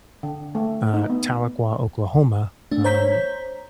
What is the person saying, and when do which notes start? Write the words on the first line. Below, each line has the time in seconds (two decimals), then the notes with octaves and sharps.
uh, Tahlequah, Oklahoma, um,
0.23 D3
0.55 A3
0.94 D#4
1.10 B3
2.71 A3 D4
2.84 C5 C#5 A#5 G6 B6